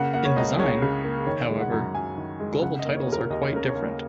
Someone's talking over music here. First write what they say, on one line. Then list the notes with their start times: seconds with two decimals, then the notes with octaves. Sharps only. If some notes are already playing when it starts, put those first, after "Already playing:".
In design, however, global titles are quite different.
Already playing: C#3 A#3 F#5
0.13 A#3 F#5
0.25 C#5
0.36 C#2 D#5
0.59 C#2 C#5
0.82 C#3
1.04 A#3
1.26 D#3 C#5
1.50 G#3
1.60 F#5
1.72 F#2
1.95 F#2 G#5
2.18 D#3
2.40 G#3
2.62 C#3 F#5
2.79 D#5
2.85 A#3
2.97 C#5
3.07 D#2
3.13 A#4
3.30 D#2 D#5
3.42 C#5
3.52 C#3 A#4
3.68 C#5
3.75 A#3